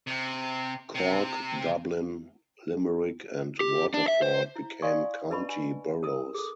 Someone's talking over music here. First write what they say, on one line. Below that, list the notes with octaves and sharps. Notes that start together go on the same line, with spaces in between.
Cork, Dublin, Limerick and Waterford became county boroughs.
C3
C3
G4
D4
E5
C5
E4
D5 F5 G#5 C6 C#6 D#6
D4 B4 D#5 A5 B5 C#6
G#5
A#4 D#6
G#4 A4